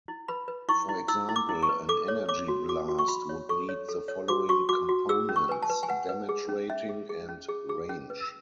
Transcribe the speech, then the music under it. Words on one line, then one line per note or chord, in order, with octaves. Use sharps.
For example, an energy blast would need the following components: "Damage Rating" and "Range".
E4
B4 B5
B4
E4 C#6
E4
E4 E6
E4
D6
E4
C#6
B4
A4 D6
C#5
C#5 D6
F#4
F#4 D6
F#4
C#6
F#4 B5
C#5
A4 C#6
C#5
A4
C#5
F#4 D6
F#4 C#6
F#4 D6
F#4
G#4 E6
C#4
C#6
B4 G#5
A5
B4
G#5
B4 F#5
B4
G#4
C#4
C#4 E5
G#4
G#4
C#4
G#4
G#4
C#4
B4